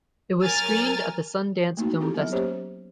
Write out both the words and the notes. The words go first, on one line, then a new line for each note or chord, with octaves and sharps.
It was screened at the Sundance Film Festival.
F#3 A#4 G#5 A#5 F6 A6
A3 A#3 D#4 F#4
C4 E4 G4 A4
F#3 B3
A#3 C#4 G4 C5 C#5